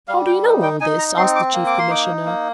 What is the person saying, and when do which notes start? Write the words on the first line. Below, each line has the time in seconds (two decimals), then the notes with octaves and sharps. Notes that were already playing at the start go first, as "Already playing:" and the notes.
"How do you know all this?" asked the Chief Commissioner.
0.08 G3 F5
0.26 G5
0.44 D#4
0.63 G5
0.81 D#4 G#5
0.99 A#5
1.17 C4 C6
1.36 D6
1.53 A#3
1.66 D6
1.79 C6
1.89 D#4 D6
2.26 A#3